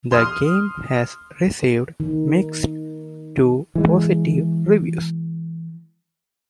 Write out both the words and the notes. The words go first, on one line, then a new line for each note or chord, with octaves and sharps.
The game has received mixed to positive reviews.
C6 D#6 F6
D#3
E3 G#3